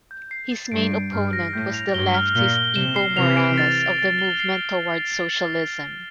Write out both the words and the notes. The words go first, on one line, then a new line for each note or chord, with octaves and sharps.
His main opponent was the leftist Evo Morales of the Movement Towards Socialism.
G6
C7
A6
G2 D7
D7
G2 F6
A#6
A2 G6
F7
G2 G7
F6
A#2 G7
G7
C3 E7
C7
C3 E3 F7
D7
A6
A6
A6
G7
C7